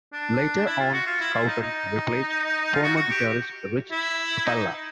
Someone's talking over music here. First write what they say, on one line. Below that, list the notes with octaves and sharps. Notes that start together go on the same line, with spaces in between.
Later on Scouten replaced former guitarist Rich Spalla.
D4
E4
F4
F#4
F4
E4
F4
D#4
D#4
F4
F#4
F#4
G4
E4
D#4